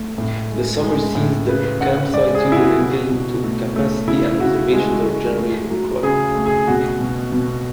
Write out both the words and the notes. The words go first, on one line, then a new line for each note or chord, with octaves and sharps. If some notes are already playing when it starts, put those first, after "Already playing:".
The summer sees the campsites usually filled to capacity and reservations are generally required.
Already playing: A3
A2
G#3
G#3
A2
C#3 B4
C#3 F#5
G#3 D5
G#4
C#3
E4
F#4
B2
B2
A3
A3
C#3 E4
C#3 F#4
G#3
G#3
A3
F#3
C#3 G#4
A3
G#4
B2 F#4
B2
B2